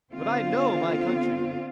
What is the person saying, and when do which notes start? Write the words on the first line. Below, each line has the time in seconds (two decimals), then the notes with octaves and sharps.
But I know my countrymen.
0.13 D3 B3 C4 F4 C5